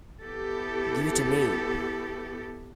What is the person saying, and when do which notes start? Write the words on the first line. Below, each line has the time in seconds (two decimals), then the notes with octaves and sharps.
Give it a name.
0.23 B3 E4 G4 A4